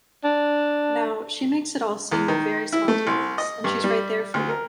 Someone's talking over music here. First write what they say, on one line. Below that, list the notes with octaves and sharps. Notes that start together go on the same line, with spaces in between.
Now, she makes it all seem very spontaneous, and she's right there for you.
D4
E2
D#3
E4
A3
C2
D#5
G2
G3
D2
A#4